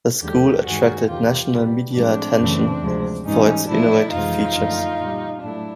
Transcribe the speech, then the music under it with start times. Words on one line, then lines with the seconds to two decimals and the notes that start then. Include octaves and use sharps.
The school attracted national media attention for its innovative features.
0.22 D#2 D3 F3 G#3 G4 A4
0.65 G2 D#3 G#3 F#4 G#4
1.09 E2 C3 D#3 F4 G4
1.52 B2 G3
1.96 A2 F3 G#3 C4 D4
2.39 F#2 C#3 E3 A3
2.82 D2 C3 F3 G#3
3.26 G#2 E3 G3 C#4 D#4
3.69 A#2 F3 A3 D4 E4
4.12 F2 C3 E3 G#3 D#4 F4
4.55 F#2 D3 F3 A3
5.00 A#2 G3
5.42 A2 F#3 A3 D4 E4